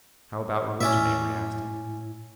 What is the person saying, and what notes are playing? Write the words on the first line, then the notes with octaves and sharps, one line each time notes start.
"How about religion?" Amory asked him.
A2 C#4 E4 D5 E5